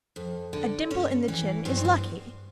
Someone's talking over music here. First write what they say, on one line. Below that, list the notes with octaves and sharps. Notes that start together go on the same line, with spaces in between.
A dimple in the chin is lucky.
F2
D3
G2 C#4
E3
G2 C4
C4
B3